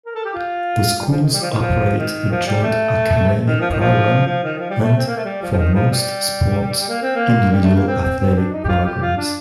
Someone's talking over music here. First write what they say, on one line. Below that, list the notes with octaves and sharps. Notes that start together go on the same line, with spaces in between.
The schools operate a joint academic program and, for most sports, individual athletic programs.
A#4
A4
G4
F4
G3
F3
D#3
G3
F3
D#3
F3
D#3
F3
G3
A3
D#3
F3
D#3
F3
F3
D#3
F3
G3
A3
C4
A#3
A3
G3
F3
F3
D#3
F3
G3
A#3
C4
A#3
G3
A3
A#3
C4
C4
C4
D4
D#4
G4
F4
G4
F4
D4